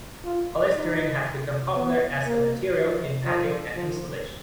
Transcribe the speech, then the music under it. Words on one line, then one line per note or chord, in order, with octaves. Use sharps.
Polystyrene has become popular as a material in packing and insulation.
F4
D#4
B3
A#3
F3
F3
F3